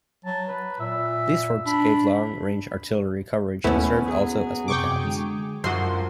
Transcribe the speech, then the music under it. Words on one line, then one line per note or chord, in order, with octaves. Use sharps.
These forts gave long-range artillery coverage and served also as look-outs.
F#3 A5
B4
A#2 E5
D4 B5
D#2 A3 B3 C#4 E4
F#3 G#4
F#2 C3 G5 C#6 D6
D3 G#3
F#2 F3 F#4 C6